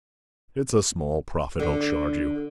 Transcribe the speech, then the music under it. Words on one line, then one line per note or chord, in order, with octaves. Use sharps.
It's a small profit I'll charge you.
D3